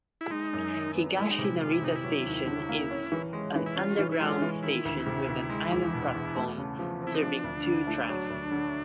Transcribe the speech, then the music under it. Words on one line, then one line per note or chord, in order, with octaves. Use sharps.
Higashi-Narita Station is an underground station with an island platform serving two tracks.
E4
G#3 D#4
F#2
D#3
B3
G#3 E4
D#4
C3
E4
D#3 F4
E4
C3 D#4
E4
F#3
D#2
D3
A#3
C#4
E3
G#3
E3
E4
C#4 F4
E3
E4
G#3 F4
E3
D#3 E4
D2
C3
D2
G#3
E2
B2
E2
A3
C#3
F3
C4
E4
D#4
F3 D4
D2
D3
A3
F#3
D2
D3